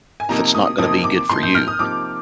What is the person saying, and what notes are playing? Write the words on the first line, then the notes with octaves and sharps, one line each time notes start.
if it's not gonna be good for you.
G#5
C3 F3 A#3 D#4 A#5
D#6
C3 F3 A#3 D#4 D#6
D6
C3 F3 A#3 D#4 C6
G6
F6
D#6
C3 F3 A#3 D#4 D6